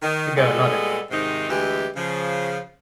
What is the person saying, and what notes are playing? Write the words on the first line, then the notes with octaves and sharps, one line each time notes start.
The girl nodded.
D#3
A#2 G3 G#3 B3 A4
G#2 C3 D#3 C4 D#4
D2 E3 G#3 G4
C#3 F3